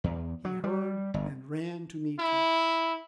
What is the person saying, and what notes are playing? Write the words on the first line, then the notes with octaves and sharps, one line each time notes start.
He heard, and ran to meet them.
E2
F#3
G3
G1
E4